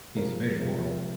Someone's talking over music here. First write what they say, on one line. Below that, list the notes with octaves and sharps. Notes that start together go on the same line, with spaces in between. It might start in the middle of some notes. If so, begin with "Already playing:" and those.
He's very moral.
C3 F3 G#3 A#4
C3 F3 G#3